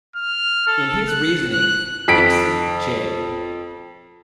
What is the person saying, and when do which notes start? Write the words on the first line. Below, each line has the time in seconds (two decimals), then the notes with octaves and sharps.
In his reasoning, Dickson J.
0.16 F6
0.67 A4
1.09 F#6
1.54 F#6
2.08 F2 B6 D7